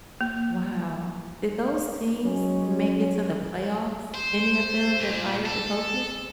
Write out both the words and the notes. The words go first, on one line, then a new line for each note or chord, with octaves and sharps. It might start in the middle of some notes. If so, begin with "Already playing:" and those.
Wow. Did those teams make it to the playoffs, any of them that fired the coaches?
A#3
F#3 G#3 C#4
C5
A#2
A4